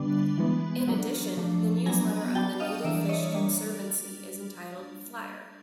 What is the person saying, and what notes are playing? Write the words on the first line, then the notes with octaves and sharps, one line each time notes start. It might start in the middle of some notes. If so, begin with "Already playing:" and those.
In addition, the newsletter of the Native Fish Conservancy is entitled Flier.
Already playing: D3 G3 B3 D4
E3 G#3 B3
F#3 A#3 D4
F3 A3 D4
F#3 B3 D4 G#5 A#5
F#3 B3 D4 G5 A5
D#5 F5
E3 G3 A#3 D4 D5 E5
C#5 D#5
G3 A#3 D4